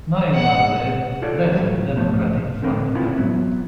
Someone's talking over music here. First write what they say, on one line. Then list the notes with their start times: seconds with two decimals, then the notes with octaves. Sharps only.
Nayanar led Left Democratic Front Government.
0.35 F#5
1.22 F4 A4 C#5 D5
1.50 C#2 A2 F#3 G3 A3
1.95 C#2 G#2 F3 A3
2.62 D3 C4 A#4 B4
2.95 B2 C4 C#4 E4 F4
3.18 F#3 B3